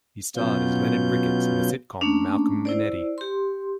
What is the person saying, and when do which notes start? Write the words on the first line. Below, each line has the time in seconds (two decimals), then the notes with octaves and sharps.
He starred as "Leonard Rickets" in the sitcom "Malcolm and Eddie".
0.37 B2 F#3 B3 C#4 F4 G6
2.01 A3 A#3 C#4 D4
2.65 E4 C5 D5
3.18 G4 C6